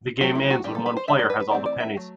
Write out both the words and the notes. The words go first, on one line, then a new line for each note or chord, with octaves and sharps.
The game ends when one player has all the pennies.
F#3 A3 C4 F#4
E4
F#4
E3 G3 B3 D4 G4
A4
B4
C5
G3 D4 E5
D5
B4
B4
E3 A3 C4 D5
D5
E5
F#3 A3